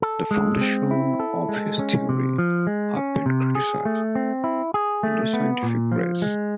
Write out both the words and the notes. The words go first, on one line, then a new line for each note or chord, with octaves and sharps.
The foundations of his theory have been criticised in the scientific press.
A4
G#3
C4
E4
A4
G#3
C#4
C3
F3
G#3
C#4
C3
G#4
A3
C4
E4
G#4
A3
B3
A#2
F3
G#3